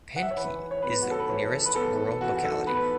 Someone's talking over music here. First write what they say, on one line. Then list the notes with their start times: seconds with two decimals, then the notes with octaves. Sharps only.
Panki is the nearest rural locality.
0.16 F#5
0.22 E5
0.31 C#5
0.37 E3 B4
0.71 C#5
0.82 B3 B4
1.02 F#4
1.11 A4
1.20 B4
1.29 E3 C#5
1.66 B4
1.75 B3 A4
2.20 E3 F#4
2.36 F#4
2.44 A4
2.66 B3 B4